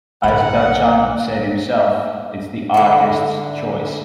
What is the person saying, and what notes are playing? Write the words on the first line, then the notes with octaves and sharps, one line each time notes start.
As Duchamp said himself, it's the artist's choice.
B1 D3 D#3 A#4 F#5 B5
D3 E4